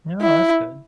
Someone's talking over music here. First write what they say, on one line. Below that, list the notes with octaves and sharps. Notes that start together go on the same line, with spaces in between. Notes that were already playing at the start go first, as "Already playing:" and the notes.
No, that's good.
E4